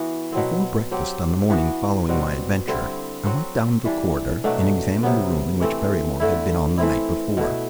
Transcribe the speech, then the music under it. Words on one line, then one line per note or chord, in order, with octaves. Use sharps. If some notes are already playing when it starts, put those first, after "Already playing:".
Before breakfast on the morning following my adventure I went down the corridor and examined the room in which Barrymore had been on the night before.
Already playing: E3 B3 F#4
B2 F#3 C4
F#3 C4 G4
E3 B3 F#4
B2 G3 C4 F#4
D3 G3 C4 E4
F#3 C4 F#4
E3 G3 D4
B2 F#3 A3 D4
C3 F#3 B3
E3 A3 C4
D3 A3 E4
E3 A3 C4 E4
B2 A3 E4